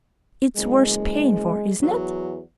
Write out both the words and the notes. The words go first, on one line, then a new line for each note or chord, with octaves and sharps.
It's worth paying for, isn't it?
F#1 G#3
E2 F#3